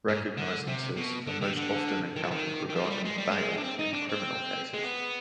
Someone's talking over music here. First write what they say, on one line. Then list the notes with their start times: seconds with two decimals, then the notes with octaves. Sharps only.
Recognizances are most often encountered regarding bail in criminal cases.
0.08 G#2
0.37 D3
0.68 C3
0.97 B2
1.27 D3
1.41 D#3
1.57 D3
2.16 D#3
2.23 F3
2.31 D#3
2.70 D#3
2.75 F3
2.84 G#3
2.90 G3
3.05 G#3
3.18 G3
3.31 G#3
3.58 D4
3.64 C4
3.79 D#4
3.94 D4
4.09 C4
4.73 G#3
4.83 B3